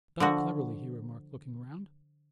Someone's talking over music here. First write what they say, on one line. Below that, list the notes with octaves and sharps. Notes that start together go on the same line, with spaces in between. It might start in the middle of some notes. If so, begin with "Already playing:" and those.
"Done it cleverly," he remarked, looking round.
D3 F3 F#4